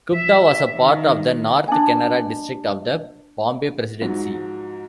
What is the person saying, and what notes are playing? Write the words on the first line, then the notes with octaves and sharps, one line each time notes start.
Kumta was a part of the North Kanara district of the Bombay Presidency.
E5
D#3
D4 G#5
G#2 F3 F#3